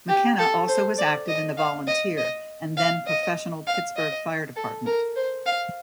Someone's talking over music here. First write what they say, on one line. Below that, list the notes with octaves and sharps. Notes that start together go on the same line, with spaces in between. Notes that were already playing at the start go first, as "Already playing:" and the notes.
McKenna also was active in the volunteer and then professional Pittsburgh fire department.
G4
A4
C5
D5
D#5
F5
D#5
D#5
F5
D#5
F5
D#5
A4
A#4
C5
F5